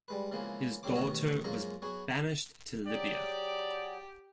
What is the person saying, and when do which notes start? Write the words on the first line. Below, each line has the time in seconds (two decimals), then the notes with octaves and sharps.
His daughter was banished to Libya.
0.08 G3 G#3 B4
0.31 C#3 E3 F3 G#3 A#3 B3
0.83 G2 C#3 F#3 C4 C5 D6
0.96 A1 D#2 B2 D#4 C#5 D#5
1.44 F#2 F3 G#3 A#3 G#4 A#5
1.82 F#3 B3 F#4 G#4
2.87 F#3 G4 G#4 D5